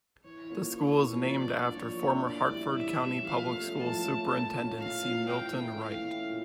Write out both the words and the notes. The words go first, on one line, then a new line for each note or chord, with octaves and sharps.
The school is named after former Harford County Public Schools superintendent, C. Milton Wright.
E3 C#5
A#3 C#4 F4
E3 C#5
A#3 C#4 F4
F3 D5
A#3 D4 F4
F3 C#5
A#3 D4 F4
A2 D5
E3 G3 C#4 E4
A2 E5
E3 G3 C#4 E4
F3 F5
A3 C#4
F3 A5
A3 C#4
A#2 A5
A3 C#4 F4
A#2 F5
A3 C#4 F4
E3 G5
A3 C#4 E4
E3 F5
A3 C#4 E4
A#2